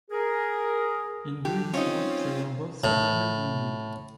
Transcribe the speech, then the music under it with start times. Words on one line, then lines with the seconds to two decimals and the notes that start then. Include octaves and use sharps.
In doing so, they were both severely wounded.
0.11 G#4 A#4
1.45 D3 G4
1.74 C4 C#4 D#4 F4 C#5
2.84 A2